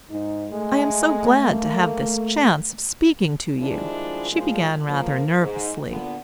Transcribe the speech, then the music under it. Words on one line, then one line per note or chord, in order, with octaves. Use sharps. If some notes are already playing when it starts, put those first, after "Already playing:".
"I am so glad to have this chance of speaking to you," she began rather nervously.
G#2 D#4
G#3 A3
A#3
D#3 F3 G3 G#3 D4 E4
A#2 F3 G#3
F3 A#3
G#2
A#2 D3 B3